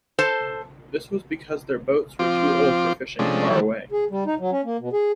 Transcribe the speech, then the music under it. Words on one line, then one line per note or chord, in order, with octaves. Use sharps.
This was because their boats were too old for fishing far away.
A4 C5 A5
F3 C4 F4 D6
C3 F3 G#3 A3 C#4 D4
D#3 E3 F#3 G3 A3
G#4
G3
D#4
F#3
C#4
A#3
B2
G#4